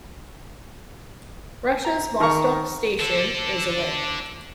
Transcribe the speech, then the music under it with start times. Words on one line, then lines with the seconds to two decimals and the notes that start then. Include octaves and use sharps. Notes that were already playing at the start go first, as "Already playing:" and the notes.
Russia's Vostok Station is away.
1.85 A#5
2.20 D#3 A#4 A#5 C#6
2.99 D4 A4